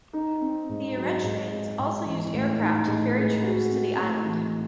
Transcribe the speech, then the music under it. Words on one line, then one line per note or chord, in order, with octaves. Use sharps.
The Eritreans also used aircraft to ferry troops to the island.
D#4
C4
G#2
F#3
G#2
G#3
G#2
E3
A2
D#4
A2
G#3
F#4
C4
A2
E3